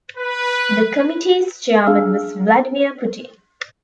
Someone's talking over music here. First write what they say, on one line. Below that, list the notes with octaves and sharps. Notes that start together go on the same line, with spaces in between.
The committee's chairman was Vladimir Putin.
B4
D4 G#4 F5 G#5 E6 F6